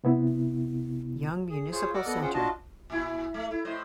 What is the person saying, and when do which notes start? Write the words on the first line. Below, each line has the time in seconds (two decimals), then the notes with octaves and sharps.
Young Municipal Center.
0.04 C3 B3 E4
1.50 G#4
1.72 F4 G#4 C5 C#5
1.94 A#4 D5 D#5 F#5 D6 E6
2.06 B3 A4 D5 D#5 F#5
2.21 C#4 F4 G#4 C5 F#5 G5
2.34 D4 F4 F#4 D#5 A5
2.90 A#2 E4
3.34 A3
3.51 E4
3.65 A2 C5 D#5